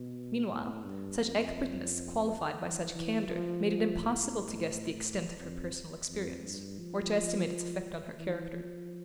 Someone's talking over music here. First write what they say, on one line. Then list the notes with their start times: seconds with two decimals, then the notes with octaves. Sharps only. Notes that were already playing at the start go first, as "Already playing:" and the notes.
Meanwhile, such expertness qualified by such candour made it impossible to guess the extent of her personal experience, or to estimate its effect on her character.
Already playing: B2
0.50 A2
0.84 G2
1.19 F2
2.59 E3
2.95 E3
3.29 F3
3.65 F3
4.00 A2
5.39 F2
6.09 F2
6.45 G2
6.79 F3
8.20 E3
8.54 F3